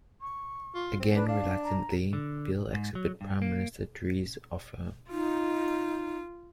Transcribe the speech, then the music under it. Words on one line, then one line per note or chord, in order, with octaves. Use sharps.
Again reluctantly, Beel accepted Prime Minister Drees' offer.
C#6
F4
C4
D4 B4
D4 F5
A#5
D3
G#2
F#3
G2
A#3
D#4 F4